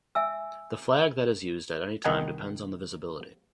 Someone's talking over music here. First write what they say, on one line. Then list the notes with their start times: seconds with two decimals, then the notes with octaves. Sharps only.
The flag that is used at any time depends on the visibility.
0.15 E5 G#5 E6
2.04 C2 D#3 D#4 F#5 G#5